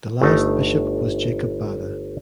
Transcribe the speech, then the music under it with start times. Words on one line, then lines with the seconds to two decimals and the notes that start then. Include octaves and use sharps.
The last bishop was Jacob Bada.
0.21 G1 A3 D#4